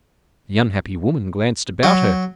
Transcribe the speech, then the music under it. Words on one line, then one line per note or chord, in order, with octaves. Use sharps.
The unhappy woman glanced about her.
F#3